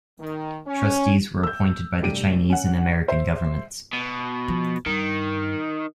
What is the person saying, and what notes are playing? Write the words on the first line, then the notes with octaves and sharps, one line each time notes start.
Trustees were appointed by the Chinese and American governments.
D#3
C#4
E6 G6
F1 G2 G4 D7 D#7
C#4 F#5
C5 E5
B2
F3
G2 D#3